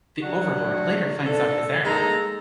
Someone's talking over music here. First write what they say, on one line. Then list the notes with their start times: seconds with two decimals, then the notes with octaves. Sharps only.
The overlord later finds out his error.
0.23 F#3 D4 F#4 G4
1.26 G#2 D4 A4
1.85 G#3 A#3 D#4 A4 A#5